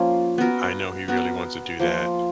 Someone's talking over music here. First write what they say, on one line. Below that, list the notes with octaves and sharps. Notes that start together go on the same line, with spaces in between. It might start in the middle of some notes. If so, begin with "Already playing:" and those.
I know he really wants to do that,
Already playing: F3 A#3 C#4 F4
B3 F#4 A#4
B3 F#4 A#4
F3 A#3 F4